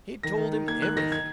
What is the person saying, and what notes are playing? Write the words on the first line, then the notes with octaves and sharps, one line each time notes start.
He told him everything.
D#3 A#6
D#3
D#4
A#3 G#6
D#3 F#6
D#3 A#6
G#6